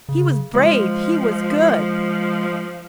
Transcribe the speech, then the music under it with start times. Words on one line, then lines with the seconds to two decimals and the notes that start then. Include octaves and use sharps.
"He was brave, he was good!"
0.09 C#3
0.54 F3 G#3